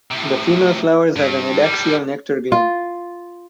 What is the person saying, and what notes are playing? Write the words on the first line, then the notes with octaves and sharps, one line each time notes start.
The female flowers have an adaxial nectar gland.
A2 C3
G2
A2 G3
F4